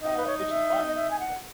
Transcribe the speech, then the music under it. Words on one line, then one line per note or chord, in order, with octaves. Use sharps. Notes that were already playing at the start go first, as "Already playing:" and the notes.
uh, which is fine, but
D#4 D#5
B4
C#5
D#5
E5
D#5
E5
G#5
F#5